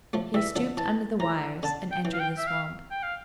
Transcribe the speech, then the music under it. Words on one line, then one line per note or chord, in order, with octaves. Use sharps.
He stooped under the wires and entered the swamp.
F3 A3
E3 G3 E5
D3 F3
E3 A5
E3 A#5
D3 A5
G5
E3
F5
G5
E5
F5
G5
F5